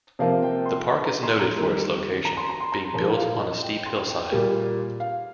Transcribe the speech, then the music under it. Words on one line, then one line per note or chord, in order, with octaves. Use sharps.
The park is noted for its location - being built on a steep hillside.
C3 F3 A#3 F5
G5
C6
A#5
A#5
C6
A#5
D#3 G3 A#3
A#5
C6
A#5
C6
A#5
A#2 F3 A#3 A#5
F5
D#5
G5
C6
G5
A#2 G3 A#3
F5